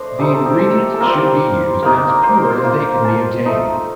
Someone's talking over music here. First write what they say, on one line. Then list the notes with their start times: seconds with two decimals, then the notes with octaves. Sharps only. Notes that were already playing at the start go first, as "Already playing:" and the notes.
The ingredients should be used as pure as they can be obtained.
Already playing: A3 D4 C5 D#5
0.19 G3 C4 D#4 A4
0.33 A4
0.46 G4
0.59 A4
0.94 A4
1.00 G3 C4 F4 A#4
1.82 A#3 D#4 A#4
2.23 C5
2.34 A#4
2.45 C5
2.64 A#3 F4
3.05 A5
3.46 A3 D#4